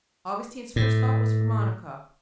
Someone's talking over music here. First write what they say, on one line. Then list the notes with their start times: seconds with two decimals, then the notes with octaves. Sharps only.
Augustine's first thought was for Monica.
0.76 A2